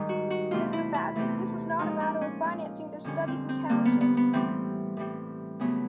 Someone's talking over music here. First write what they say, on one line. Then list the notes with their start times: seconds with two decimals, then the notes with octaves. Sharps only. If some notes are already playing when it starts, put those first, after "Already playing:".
Mister Bazin, this was not a matter of financing this study through townships.
Already playing: G#2 D#3 G3 D#4
0.09 F#4
0.30 F#4
0.51 E2 C3 E3 A3 F4
0.73 E4
0.94 E4
1.16 E2 C3 E3 A3
1.78 A#2 F3 G#3 D#4
2.00 D4
2.21 C#4
2.42 A#2 F3 G#3
3.04 F2 D3 G3 C#4
3.28 C4
3.49 C4
3.69 F2 D3 G3 A#3
3.85 B3
4.01 B3
4.17 B3
4.33 A2 E3 G3 C4
4.97 A2 E3 G3
5.59 E2 C#3 F#3 A3 B3